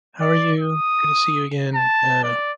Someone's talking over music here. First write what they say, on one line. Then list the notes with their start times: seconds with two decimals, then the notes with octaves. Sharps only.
how are you, good to see you, again,'" uh
0.21 D5
0.60 D#6
1.75 A5
2.24 D5